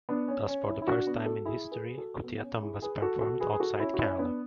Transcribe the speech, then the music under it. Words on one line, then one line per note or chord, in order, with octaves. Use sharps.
Thus for the first time in history Kutiyattam was performed outside Kerala.
B3 D4
C#4
C#4
C#4 E4
E4
D4 F#4
B3 D4
F#4 A4
E4 G#4
G#4 B4
F#4 A4
B3
C#4
E4 G#4
G#4 B4
F#4 A4
F#4 A4
G#4 B4
G#4
F#4 A4
C#4 E4
F#4
C#4 E4
C#4
B3 D4